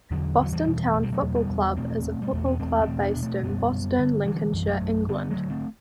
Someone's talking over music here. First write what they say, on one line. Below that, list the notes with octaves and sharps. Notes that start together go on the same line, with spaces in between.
Boston Town Football Club is a football club based in Boston, Lincolnshire, England.
E2 D3 F#3
E2 F#3
E3 G3
B2
B2 A3
G3
F#3 A3
E2
G3 B3
E2
B2 A3 C4
B2
G3
E2 A3
B3
E2 A3 C4
A3 C4
B2
B3 D4
B2
A3 C4
F#2 G3 B3
F#2
D3
D3 E3 G3
F#2
F#3 A3
F#2
D3 G3 B3
F#3 A3
D3
A3 C4